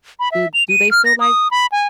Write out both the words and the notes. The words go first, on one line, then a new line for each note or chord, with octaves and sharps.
do do they feel like
B5
E5
F7
D#7
F6
A#6
D#6
B5
G#5